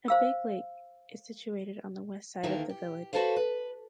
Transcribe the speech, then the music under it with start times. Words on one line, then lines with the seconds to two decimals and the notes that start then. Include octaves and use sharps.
A big lake is situated on the west side of the village.
0.08 C5 F5 E6
2.43 D2 D#3 E3 A3 A#3 A#4
2.69 G4
3.13 F#4 G4 A4 B4 C5 F5
3.36 B4